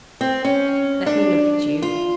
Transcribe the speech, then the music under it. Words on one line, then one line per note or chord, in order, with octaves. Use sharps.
Let me look at you.
C4
C#4
D4
F4